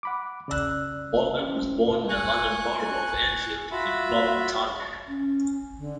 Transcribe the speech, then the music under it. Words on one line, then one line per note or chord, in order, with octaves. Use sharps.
Morgan was born in the London Borough of Enfield and grew up in Tottenham.
F#5 B5 D6
C#3 D5 E6 F#6
C#4 G4 C5
G#5 C#6 F#6
F4 F#4 E5 B5
C#4
D3